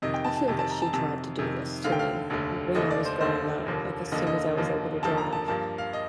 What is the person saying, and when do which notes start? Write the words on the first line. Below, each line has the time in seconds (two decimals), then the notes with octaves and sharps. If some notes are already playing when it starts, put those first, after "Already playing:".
I feel that she tried to do this to me when I was growing up. Like, as soon as I was able to drive,
0.02 F2 C3 D#3 D#5
0.14 G5
0.25 A5
0.37 A5
0.48 F2 C3 D#3 A5
0.59 A5
0.71 A#5
0.82 A5
0.93 F2 C3 D#3 A5
1.39 F2 C3 D#3
1.84 F1 D#2 D3 A3 F5
1.92 G5
1.99 F5
2.30 F1 D#2 D3 A3
2.75 F1 D#2 D3 A3 D#5
2.91 D5
3.05 C5
3.21 F1 D#2 D3 A3 C5
3.66 F1 D#2 D3 F3 A#3
4.12 F1 D#2 D3 F3 A#3 D#5
4.27 D#5
4.57 F1 D#2 D3 F3 A#3
5.03 F1 D#2 D3 F3 A#3 A5
5.17 A#5
5.33 A5
5.48 G2 F3 A#3 A5
5.78 F5
5.93 D#5